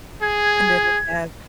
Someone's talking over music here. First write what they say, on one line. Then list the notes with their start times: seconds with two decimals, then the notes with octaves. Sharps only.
And then we have,
0.22 G#4 G#6